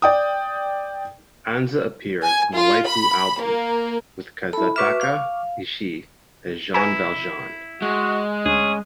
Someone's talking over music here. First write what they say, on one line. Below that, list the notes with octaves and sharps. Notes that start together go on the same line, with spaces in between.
Anza appears on the light blue album with Kazutaka Ishii as Jean Valjean.
D5 G5 D#6
G#5
F4
B5
A#3
E4 A4 B5
F#4 B4 E5 C#6 D6 F6
F5
E4 B4 G#5 A#5
G#3 F#4
D2 C#4 G#4